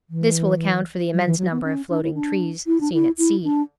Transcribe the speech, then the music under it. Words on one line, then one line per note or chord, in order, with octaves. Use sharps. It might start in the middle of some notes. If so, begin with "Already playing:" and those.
This will account for the immense number of floating trees seen at sea.
E3
F#3
E3
F#3
B3
C#4
D4
E4
D4
E4
D4
E4
E4
D4